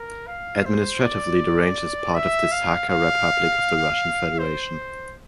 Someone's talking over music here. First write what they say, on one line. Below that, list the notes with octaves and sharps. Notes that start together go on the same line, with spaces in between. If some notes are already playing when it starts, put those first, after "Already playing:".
Administratively the range is part of the Sakha Republic of the Russian Federation.
Already playing: A#4
F5
C5
D5
E5
F5
F5
C5